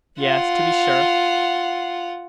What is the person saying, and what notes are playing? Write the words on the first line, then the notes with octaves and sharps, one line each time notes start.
"Yes, to be sure."
F4 F#5